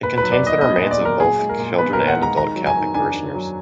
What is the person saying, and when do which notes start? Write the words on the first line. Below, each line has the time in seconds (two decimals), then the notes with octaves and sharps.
It contains the remains of both children and adult Catholic parishioners.
0.03 A#2 B4
0.18 B4
0.23 F#3
0.32 D5
0.43 A#2 D#5
0.61 B3 D#5
0.76 D#5
0.82 A#2
0.91 D5
1.00 F#3
1.05 A#4
1.19 A#2 G#4
1.39 G#3
1.49 A#4
1.59 A#2
1.78 B3 B4
1.93 A#2 A#4
2.08 F#5
2.18 G#3 A#5
2.37 D#3 A#5
2.56 F#3
2.66 G#5
2.76 D#3
2.94 D4 G#5
3.14 D#3
3.34 F#3